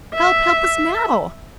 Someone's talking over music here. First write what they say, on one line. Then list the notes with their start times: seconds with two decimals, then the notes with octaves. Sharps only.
Help, help us now!'
0.14 E5